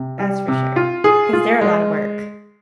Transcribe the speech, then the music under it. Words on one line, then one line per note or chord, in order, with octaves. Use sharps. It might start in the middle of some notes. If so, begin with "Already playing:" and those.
that's for sure, 'cause they're a lotta work,
Already playing: C3
G3
C3
F4
G#4
F4
G#3